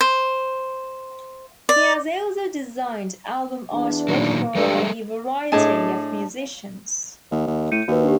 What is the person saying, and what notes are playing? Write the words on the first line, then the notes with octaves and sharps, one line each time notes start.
He has also designed album artwork for a variety of musicians.
C5
D5
E2 D4
A#2 D#3 F#3
G2 G3 G#3 A4
A2 D4 G#4 D#5 G#5 A5
D#2
D#2
A2 G6 C#7 D#7
D#2 F#4 B4
D4 G4